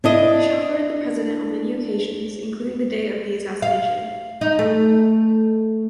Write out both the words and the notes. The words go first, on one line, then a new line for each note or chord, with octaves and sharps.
He chauffeured the president on many occasions, including the day of the assassination.
D4 E4 D#5
F5
D#4
A3